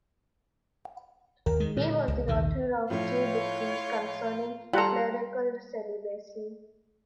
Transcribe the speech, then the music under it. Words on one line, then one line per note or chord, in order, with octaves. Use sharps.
He was the author of two decrees concerning clerical celibacy.
D#2 A#4
D#3 G#3
A#2 D3
C#2
A#1 D#2 C3 D#3
A2 F3 A3 F4 C#5
G3 F4 A4 F#5 A#5